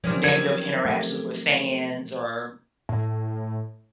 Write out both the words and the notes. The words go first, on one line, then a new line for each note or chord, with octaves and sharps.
negative interactions with fans or,
C3 D#3 F3 F#3 C#4
A#4 G#6
A3
A2